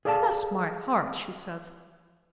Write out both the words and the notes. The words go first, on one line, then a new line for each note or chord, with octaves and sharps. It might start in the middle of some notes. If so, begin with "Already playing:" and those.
"Bless my heart!" she said.
G#4 A4 D5 F5 G5 A5